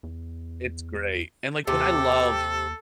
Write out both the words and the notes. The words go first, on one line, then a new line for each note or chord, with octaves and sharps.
it's great, and, like, what I love,
E2
D#2 C3 G4 A4